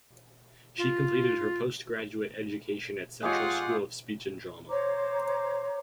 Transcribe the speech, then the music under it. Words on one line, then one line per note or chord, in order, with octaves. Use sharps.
She completed her post-graduate education at Central School of Speech and Drama.
F4
G#3 F4 G4 C#5 F#5
C5 C#5 A#5 D6